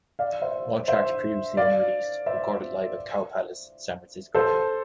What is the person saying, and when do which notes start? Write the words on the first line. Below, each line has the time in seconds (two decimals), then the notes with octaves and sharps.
All tracks previously unreleased, recorded live at Cow Palace, San Francisco.
0.19 D5 F5
0.42 C5 E5
0.88 C5 E5
1.57 D5 F5
2.26 C5 E5
4.35 A4 C5